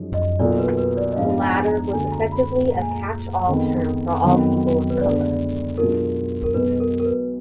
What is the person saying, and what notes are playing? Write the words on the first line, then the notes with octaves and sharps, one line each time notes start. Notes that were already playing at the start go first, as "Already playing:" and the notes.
The latter was effectively a 'catch all' term for all people of color.
Already playing: F#2 F3 G#3 D#4
D#5
B1 B2 A#3 F4 D5
B4
B4
D5
D#5
G#2 F3 B3 D4 F5
G#5
A#5
D2 D3 G#3 G#5
A#5
B5
A#1 A#2 G#3 A#5
G#5
A#5
F2 D#3 G#3 B3 D#4
F2 D#3 F#3 B3
B4
D2 D3 G#3 B3 D4 D5
B1 B2 G#3 D4 F4 A#4
A#4
B1 B2 G#3 B4
A#4
A#4
B4